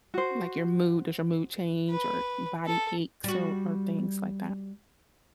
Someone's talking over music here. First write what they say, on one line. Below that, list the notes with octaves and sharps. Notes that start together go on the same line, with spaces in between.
Like your mood, does your mood change or body aches or or things like that?
F#4 C5
B4
A4
G3 F#4